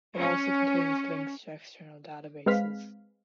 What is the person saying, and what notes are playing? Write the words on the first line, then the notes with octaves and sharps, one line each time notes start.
It also contains links to external databases.
C#4
G#3 C4 B4 F5 F6 B6